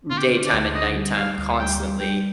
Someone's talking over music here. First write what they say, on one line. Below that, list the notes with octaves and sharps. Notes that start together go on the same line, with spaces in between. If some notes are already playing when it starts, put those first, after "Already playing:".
m daytime and nighttime constantly,
D3 F4
G4
D3
D5
D2
D3 D#5
G3
G3 F5
D2
G3 G5
G3
G3 G5